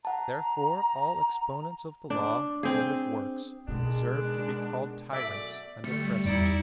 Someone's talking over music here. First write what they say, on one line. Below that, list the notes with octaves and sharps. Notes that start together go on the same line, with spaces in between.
Therefore all exponents of the Law and of works deserve to be called tyrants and oppressors.
F#5 A5 A#5
D4
C4 G#4
B2 D#3 G#3 B3 D4
F#2 A3 D5 E5
D3 G3 A3 C#7
E2 D#4 E4 D5 C#7